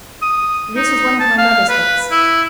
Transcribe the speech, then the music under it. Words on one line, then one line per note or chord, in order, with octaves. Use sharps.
This was one of my mother's books.
D#6
D#4
A5
F5
B4
E4